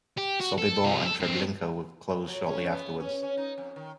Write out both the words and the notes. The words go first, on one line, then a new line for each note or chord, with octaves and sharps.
Sobibor and Treblinka were closed shortly afterwards.
G4
F#4
A4
C3 F4
A4
G2 C4
F#3
C#4
B3
C#4
C#4
D#4
F2
D#3